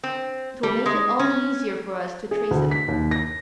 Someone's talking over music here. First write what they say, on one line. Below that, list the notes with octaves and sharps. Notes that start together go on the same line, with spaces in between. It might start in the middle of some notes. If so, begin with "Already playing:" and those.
It will make it all the easier for us to trace him.
C4
G3
G#3
C#4
G#4
D2
B6
D#2
A#6